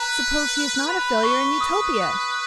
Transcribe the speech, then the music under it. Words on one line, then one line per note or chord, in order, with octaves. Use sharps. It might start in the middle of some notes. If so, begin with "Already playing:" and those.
Suppose he is not a failure in Utopia!...
Already playing: B4 A#5
B4 B5
C#6
D#6